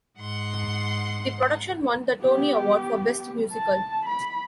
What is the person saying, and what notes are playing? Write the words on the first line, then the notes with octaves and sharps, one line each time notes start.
The production won the Tony Award for Best Musical.
G#2 F#5 C6
B3 G4
A5
B5